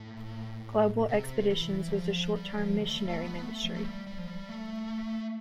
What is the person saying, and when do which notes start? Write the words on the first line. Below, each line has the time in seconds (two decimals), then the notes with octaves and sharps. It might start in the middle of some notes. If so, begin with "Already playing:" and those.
Global Expeditions was a short-term missionary ministry.
Already playing: A2
1.08 C3
1.50 E3
1.88 G3
1.93 F3
2.36 G3
2.57 F3
2.78 D3
2.88 A3
2.99 G3
3.09 A3
3.21 B3
3.42 A3
3.63 F3
3.76 A3
3.84 G3
4.07 G3
4.18 F3
4.28 G3
4.49 A3